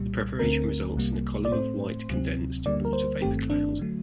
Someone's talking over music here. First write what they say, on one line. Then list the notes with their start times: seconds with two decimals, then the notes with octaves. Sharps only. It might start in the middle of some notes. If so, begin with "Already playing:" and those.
The preparation results in a column of white condensed water vapour cloud.
Already playing: C2 A#2 G3
0.39 D2 D3 A3 C4 A#4
0.96 C2 C3 G3 A#3
1.45 D5
1.52 A2 A3 C4 C5
2.09 D2 C3 F#3 C4
2.66 D2 D3 G3 A#3 D5
2.85 A#4
2.93 C5
3.21 G1 G2 D#3 A3 C4 G4
3.50 D4
3.79 D3 F#3 A3